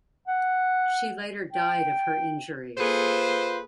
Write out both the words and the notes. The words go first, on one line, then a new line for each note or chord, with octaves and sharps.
She later died of her injuries.
F#5
G5
A#3 F4 G#4 A4 B4 C5